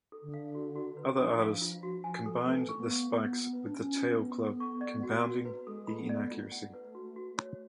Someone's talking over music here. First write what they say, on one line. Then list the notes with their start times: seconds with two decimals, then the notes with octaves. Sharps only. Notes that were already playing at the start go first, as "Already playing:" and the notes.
Other artists combined the spikes with the tail club, compounding the inaccuracy.
0.12 A4
0.22 D3
0.34 F5
0.55 F#4
0.76 F#4
0.97 B4
1.19 F3 D4
1.40 F5
1.62 F4
1.83 F#4
2.04 G#5
2.26 A4
2.47 A3 B4
2.69 C#6
2.79 B3
2.90 F5
3.11 B3 F4
3.32 F4
3.43 B3
3.53 B4
3.65 D4
3.74 C#4 F4
3.95 F4
4.07 B3
4.18 B4
4.39 A4
4.60 C#6
4.81 D5
5.03 F#4
5.24 F#4
5.45 B4
5.67 G#3 A4
5.87 B5
5.99 B3
6.09 D5
6.31 A3 F4
6.52 F#5
6.74 B4
6.95 F#4
7.16 F#4
7.38 C#5